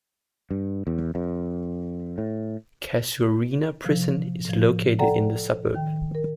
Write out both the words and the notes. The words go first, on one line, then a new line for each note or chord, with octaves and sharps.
Casuarina Prison is located in the suburb.
G2
E2
F2
A2
C3 F3
A2 F3
A4 D5 F#5 G5 A#5
D#3 G5
A#4